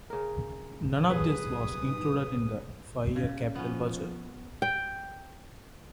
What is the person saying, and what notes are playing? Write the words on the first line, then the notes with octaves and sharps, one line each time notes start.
None of this was included in the five-year capital budget.
C#3 A#4
F#2 B2 G3 G#4 B4 D#6
C#3
F3 B3 C#4
G5